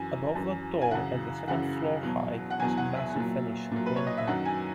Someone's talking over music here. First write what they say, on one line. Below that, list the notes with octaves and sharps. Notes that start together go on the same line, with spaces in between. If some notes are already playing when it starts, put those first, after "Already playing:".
Above the door at second floor height is a massive Venetian window.
Already playing: F#2 E3 G#5
F#2 E3
G#5
F#2 C#3 E3 F#5
F#2 C#3 E3 F#5
E2 B2 F#3
F#5
E2 B2 F#3 G#5
F#5
E5
A#2 F#3
A#2 F#3
B4
C#5
D#5
E5
F#2 D#3 F#3 F#5
G#5